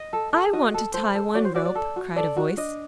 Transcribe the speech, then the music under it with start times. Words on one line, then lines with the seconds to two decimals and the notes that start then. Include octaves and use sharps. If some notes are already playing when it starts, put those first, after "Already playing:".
"I want to tie one rope," cried a voice.
Already playing: D#5
0.13 A4
0.33 A4
0.53 F#4 D#5
0.74 A4
0.94 A4 C5
1.15 A4
1.35 F#4 D5
1.45 C5
1.55 F#4 D5
1.65 D5
1.75 A4
1.96 F#4
2.16 A4 D5
2.36 F#4
2.57 D4 D#5